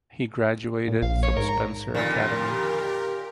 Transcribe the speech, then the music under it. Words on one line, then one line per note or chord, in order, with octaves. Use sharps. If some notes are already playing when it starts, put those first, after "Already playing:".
He graduated from Spencer Academy.
A#2
A#1 F5
C#5
G#2 A#4
A#5
F2 A#2 D3 D#3 G4 A#4